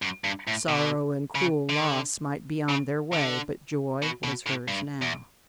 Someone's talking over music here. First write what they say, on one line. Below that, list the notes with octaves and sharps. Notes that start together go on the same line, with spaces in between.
Sorrow and cruel loss might be on their way, but Joy was hers now.
F#2
G2
A2
B2
C#3
D3
C#3
D3
B2
B2
A2
G2
E2